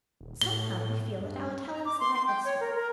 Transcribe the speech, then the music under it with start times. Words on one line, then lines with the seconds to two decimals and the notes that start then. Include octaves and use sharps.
But somehow we feel that our talents lie elsewhere.
0.21 D#1
0.41 A2 G7
1.20 G2
1.72 A#5
1.85 D6
2.00 C6
2.14 C6
2.27 G5
2.45 C#5
2.61 A#4
2.75 A#4